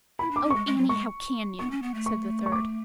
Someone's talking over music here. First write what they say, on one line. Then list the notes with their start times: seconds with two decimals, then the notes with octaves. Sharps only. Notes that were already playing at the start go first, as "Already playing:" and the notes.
"Oh, Anny, how can you!" said the third.
0.19 E4 B5
0.31 D4 D6
0.44 C#4
0.50 G#3 C#6
0.66 G#3
0.78 F#3
0.89 G#3 C#6
1.59 B3 C#6
1.71 C#4
1.83 B3
1.94 A3
2.06 C#6
2.46 C#6
2.52 D6